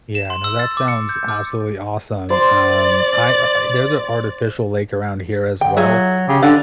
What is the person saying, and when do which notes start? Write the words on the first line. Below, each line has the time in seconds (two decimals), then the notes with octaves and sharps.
Yeah, no, that sounds absolutely awesome, um, I uh, there's a artificial lake around here as well,
0.15 E7
0.30 C6
0.44 E6
0.59 A6
0.77 D6
0.88 C#7
1.09 G6
1.28 D6
2.30 C5 D5 C6
5.61 D3 G5
5.77 F#3 F4 G#4 E5
6.28 C#3 G4
6.43 D3 F5 F#5